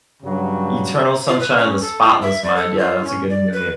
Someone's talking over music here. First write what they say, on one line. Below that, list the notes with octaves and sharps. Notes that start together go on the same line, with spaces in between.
Eternal Sunshine of the Spotless Mind, yeah, that's a good movie.
G2 C#3 F#3
F4
B4
C#4
A4
F4
E5
D5
A4
F4
C#4
D5
B4